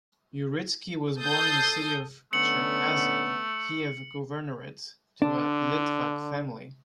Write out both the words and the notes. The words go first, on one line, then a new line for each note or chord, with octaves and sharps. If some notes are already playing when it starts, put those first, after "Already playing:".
Uritsky was born in the city of Cherkasy, Kiev Governorate, to a Litvak family.
A4 D#6 G6 A6 C7
D3 A3 B3 C#4 C#7 F#7
D3 D4